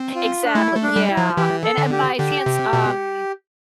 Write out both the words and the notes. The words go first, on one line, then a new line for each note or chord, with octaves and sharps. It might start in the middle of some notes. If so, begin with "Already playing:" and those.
Exactly, yeah, and and by chance, um
Already playing: C4
F4
D4
A3 E4
A3
D4
G3
E4
F3
E3 G4
A4
D3
G4
D3 G4
C3
B2